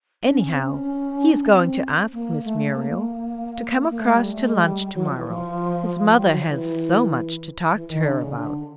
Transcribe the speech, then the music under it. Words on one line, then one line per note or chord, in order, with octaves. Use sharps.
Anyhow he is going to ask Miss Muriel to come across to lunch to-morrow; his mother has so much to talk to her about.
D4
C#4
C4
C#4
D4
C#4
C4
A#3
A3
A#3
A#3
A3
G3
A3
G#3
G3
F#3
F3
E3
F3
G3
F#3
F3
E3
E3
D#3
D3
C#3
D3